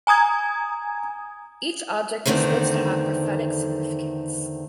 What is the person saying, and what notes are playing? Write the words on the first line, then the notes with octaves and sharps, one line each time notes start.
Each object is supposed to have a prophetic significance.
G#5 A#5 D#6 G#6
E2 A2 D3 D#3 A3 C4